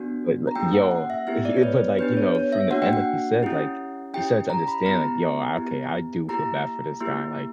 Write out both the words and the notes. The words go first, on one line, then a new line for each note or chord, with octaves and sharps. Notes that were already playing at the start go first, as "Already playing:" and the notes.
But, like, yo, he, but, like, you know, from the end, like you said, like, he started to understand, like, yo, okay. I do feel bad for this guy. Like,
Already playing: B3 D4 F#4
A#5
A#3 C#4 E4 G4 G5
F#5
F#5
E5
B3 E4 G4 E5
D5
C#5
B4
B3 D4 G4 B4
C#5
C#5
E5
A#3 D4 F#4 F#5
G5
F#5
C#4 E4 G4
C#4 E4 G4 G5
A#5
B5
B3 E4 G4 A#5
B3 E4 G4
A#3 E4 G4 A#5
A#3 E4 G4